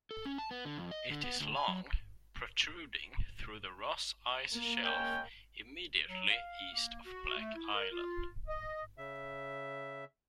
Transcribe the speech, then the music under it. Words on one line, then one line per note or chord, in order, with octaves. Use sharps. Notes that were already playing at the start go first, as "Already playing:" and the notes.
It is long, protruding through the Ross Ice Shelf immediately east of Black Island.
A4
C#4
A5
B3
D3
F2
D#5
D3
B3
D2
G#5
F#3
A#3
G#3 C#4 G5
F#3
F5
A#3
F#4
A3
E4
A#4
F4
D#5
C#3 E5